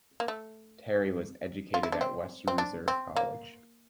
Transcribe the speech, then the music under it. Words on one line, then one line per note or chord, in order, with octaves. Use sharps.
Terry was educated at Western Reserve College.
A#3
A3
F4
E4
D4
C4
C4
D4
C4
A#3